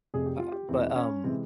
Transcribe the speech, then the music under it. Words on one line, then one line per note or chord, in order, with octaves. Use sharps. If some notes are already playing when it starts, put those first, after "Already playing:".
Uh, but, um,
F1 F2 C3 G#4
G4
F4
G4
E1 E2 E3 C4
C#4
C3 E3 G#3 C4